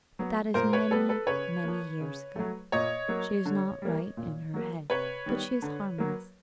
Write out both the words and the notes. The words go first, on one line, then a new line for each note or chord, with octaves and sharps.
But that is many, many years ago. She is not right in her head, but she is harmless.
F#3 B3
A#2 A#4 C5
B4 C#5
G3 B3 A4 B4
A4 B4
C#3 B4 C#5
F3 A#3
C#3
F#3 A3
A#2 C#5 D#5
F#3 A#3
D3
G3 A#3
A#2
F#3 A#3
C3 B4 C#5
D#3 G3 B3
D3
F#3 A#3